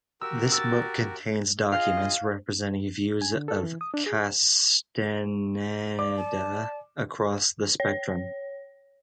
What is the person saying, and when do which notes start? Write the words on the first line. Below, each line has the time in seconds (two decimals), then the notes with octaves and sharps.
This book contains documents representing views of Castaneda across the spectrum.
0.21 F#4 G4 A#4 E6
0.52 E6 A6
1.72 F4 G#4 D#5 F5
3.21 G#5
3.35 D3
3.48 A4
3.63 E3
3.81 D#6
3.94 D4
4.06 G#4
5.99 D5 D6
6.17 A5
7.80 C#5